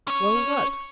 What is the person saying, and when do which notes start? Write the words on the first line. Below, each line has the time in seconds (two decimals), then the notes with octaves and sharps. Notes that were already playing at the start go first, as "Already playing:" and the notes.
"Well, what?"
0.08 C#4 C#5